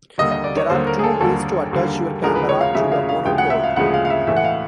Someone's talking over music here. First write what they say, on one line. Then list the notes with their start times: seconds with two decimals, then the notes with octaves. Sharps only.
There are two ways to attach your camera to a monopod.
0.18 D#2 D3 G3 A#3 D#5
0.32 D#5
0.44 D5
0.57 C#5
0.70 D#2 D3 G3 A#3 C5
0.87 A#4
0.99 G#4
1.04 A4
1.21 D#2 D3 G3 A#3 A4
1.71 D#2 D3 G3 A#3
2.22 D2 C#3 F3 G#3 A#4
2.35 B4
2.49 C#5
2.61 F5
2.74 D2 C#3 F3 G#3 E5
2.92 F5
3.09 F5
3.25 D2 C#3 F3 G#3 G5
3.38 F#5
3.50 E5
3.64 F5
3.76 D2 C#3 F3 G#3 F#5
3.94 F5
4.05 F5
4.10 E5
4.27 A2 E3 A3 E5
4.37 F#5
4.44 F5